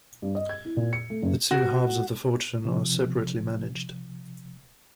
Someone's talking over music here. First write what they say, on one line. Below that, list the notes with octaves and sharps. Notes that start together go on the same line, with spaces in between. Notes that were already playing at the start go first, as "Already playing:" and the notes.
The two halves of the fortune are separately managed.
G2
D#5
G#6
E4
A#2
C#7
A3
F#1
F#4
C3 F3